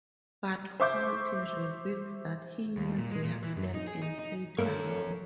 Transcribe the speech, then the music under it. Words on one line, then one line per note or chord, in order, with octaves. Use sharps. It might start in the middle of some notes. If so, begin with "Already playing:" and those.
But Holt reveals that he knew their plan and played along.
C5 E5 C#6 D6 G6
D#2
A#2
G#3
A#2
E3
F#2
D#4
G#4
D#4
D#4
G2 A3 A#3 A4 A#4 C#5